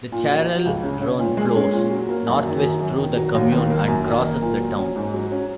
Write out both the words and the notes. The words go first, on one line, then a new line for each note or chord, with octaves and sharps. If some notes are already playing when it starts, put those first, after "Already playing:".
The Chalaronne flows northwest through the commune and crosses the town.
A#2
F#3
F#3
C#2
C#3
C#4
A#2
G#3
C#4
A#2
F#3
A#3
F#2
D#3
F#3
F#2
D#3
F#3
D#2
D#3
A#3
F#2
D#3
A#3
A#2
F#3
C#4
G#2
F#3
C#4